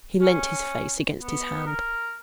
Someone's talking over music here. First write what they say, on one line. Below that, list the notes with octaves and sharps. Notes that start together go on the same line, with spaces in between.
He leant his face against his hand.
C#4
B3
A#4